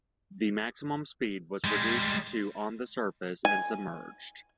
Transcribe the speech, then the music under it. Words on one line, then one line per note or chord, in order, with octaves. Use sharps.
The maximum speed was reduced to on the surface and submerged.
G3 G#3
G#5